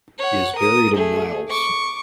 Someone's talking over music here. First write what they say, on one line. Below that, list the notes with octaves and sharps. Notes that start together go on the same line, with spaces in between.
He is buried in Niles.
C#5 F#5
A#4 D#6
A3 G#4
C#6 D6